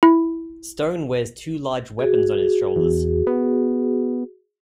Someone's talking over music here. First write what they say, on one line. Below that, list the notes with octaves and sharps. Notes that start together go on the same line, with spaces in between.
Stone wears two large weapons on his shoulders.
E4
F#4 G#4
E2
B3